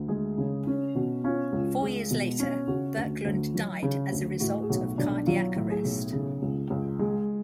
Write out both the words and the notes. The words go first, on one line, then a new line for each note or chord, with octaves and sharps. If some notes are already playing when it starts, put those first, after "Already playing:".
Four years later, Birkelund died as a result of cardiac arrest.
Already playing: D2
G#3 G#4
C#3
C#4
B2 F#4
C#4 F4
C#2 F4
G#3
B2
C#4
C#3 F#4
D2
D2
F#3
C#3
D2
A2 F#4
G#4
B1 F#4
B1 D4
F#3 F4
A2
G#4
B1
C#3
C#2
C#2
G#3